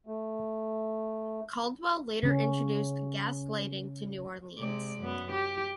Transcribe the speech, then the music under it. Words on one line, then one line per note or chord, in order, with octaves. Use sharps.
Caldwell later introduced gas lighting to New Orleans.
A3
C#3 C#4
C3 G#3 D5
F#2 B3
G4